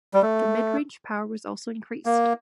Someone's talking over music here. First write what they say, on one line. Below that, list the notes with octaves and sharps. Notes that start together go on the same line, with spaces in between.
The midrange power was also increased.
G3
A3
A#3